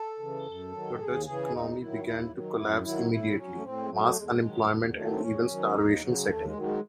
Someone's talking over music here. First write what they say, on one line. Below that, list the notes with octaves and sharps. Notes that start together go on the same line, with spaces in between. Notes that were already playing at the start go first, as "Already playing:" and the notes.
The Dutch economy began to collapse immediately: mass unemployment and even starvation set in.
Already playing: A4
C#3 E3
F#2
D#3 F#3
D#2 G#4
C#3 E3 G#4
E2 D#4
D#3 F#3 E4
D#2 E4
D#3 F#3
F#2 E4
D#3 F#3 E4
A2 E4
F#3 C#4
A3
A2 C4
G#3
F#3 A3
E2 G#3
A3
G#3
D#3 F#3
E2
D#3 F#3 A3
C4
E2 C#4
D#3 F#3
D#2 D#4
C#3 F#3
D#2 A3
G#3
D#3 F#3
G#3